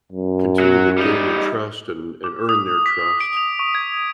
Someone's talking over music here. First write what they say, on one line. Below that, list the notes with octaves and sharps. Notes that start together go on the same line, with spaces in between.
continue to gain their trust and and earn their trust,
F#2
F#3
G3 D#4
D6
D#6
B6
D7
F7
C#6
G#6